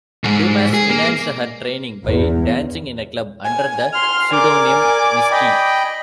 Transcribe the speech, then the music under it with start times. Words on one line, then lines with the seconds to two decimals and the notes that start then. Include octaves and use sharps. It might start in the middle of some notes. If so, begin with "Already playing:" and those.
Dumas financed her training by dancing in a club under the pseudonym Misty.
0.24 D2 G#2
0.74 G#4
0.90 A#3
2.05 E2
3.45 G#5
3.93 C6 F6
4.33 A#4 D5 G#5 D6
5.32 D#5 G5 B5